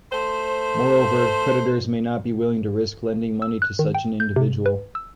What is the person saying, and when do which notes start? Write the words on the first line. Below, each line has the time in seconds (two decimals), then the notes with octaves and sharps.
Moreover, creditors may not be willing to risk lending money to such an individual.
0.12 A3 C5
3.42 E6
3.62 F#6
3.79 D#3
3.95 G5
4.20 G6
4.36 C3
4.66 B4
4.95 E6